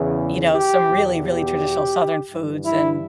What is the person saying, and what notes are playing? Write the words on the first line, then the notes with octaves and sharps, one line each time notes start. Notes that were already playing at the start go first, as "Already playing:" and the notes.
you know, some really, really traditional southern foods, and
Already playing: E2 C#3 E3
G4
E2 B2
G4
G2 E3
E4